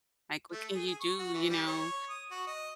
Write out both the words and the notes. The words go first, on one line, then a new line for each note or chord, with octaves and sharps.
Like, what can you do?" You know,
A3
G#4
G#4
C#6
F#4
E3
G3
C#5
D#6
F#4
D#5